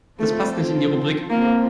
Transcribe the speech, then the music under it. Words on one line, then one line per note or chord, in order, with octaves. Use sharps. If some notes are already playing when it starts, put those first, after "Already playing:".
Das passt nicht in die Rubrik.
F3 A3 C4 F4 A4
C3 F3 A#3 C4 F4